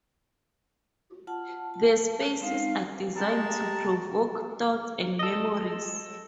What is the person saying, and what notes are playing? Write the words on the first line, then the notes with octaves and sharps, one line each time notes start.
The spaces are designed to provoke thoughts and memories.
F4 F#5 A5
A5
G#3 C4 D#4 F5
G#3 G4 A5 A#5
A4 D#5